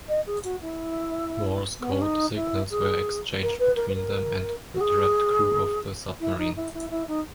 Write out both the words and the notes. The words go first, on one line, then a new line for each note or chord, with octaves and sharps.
Morse code signals were exchanged between them and the trapped crew of the submarine.
D#5
G#4
F#4
E4
B3
C#4
D#4
E4
G#4
A#4
B4
A#4
B4
A#4
F#4
G#4
E4
D#4
E4
E4
E4
D#4